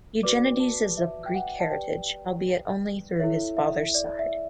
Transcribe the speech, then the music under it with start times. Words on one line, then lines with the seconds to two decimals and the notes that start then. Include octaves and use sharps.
Eugenides is of Greek heritage, albeit only through his father's side.
0.23 F#4 B4 D5 D6
0.60 A5
0.97 E5
1.26 G5
1.35 F#5
1.60 A5
1.71 G4 B4 D5 G5
3.19 E4 A4 C#5 E5
3.57 E5
3.95 D5
4.19 E5